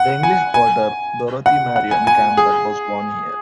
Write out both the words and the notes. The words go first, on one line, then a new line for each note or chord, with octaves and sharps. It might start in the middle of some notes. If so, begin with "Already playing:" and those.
The English potter, Dorothy Marion Campbell was born here.
Already playing: F#5
G#5
G#5
F#5
F#5
G#5
G#5
G#4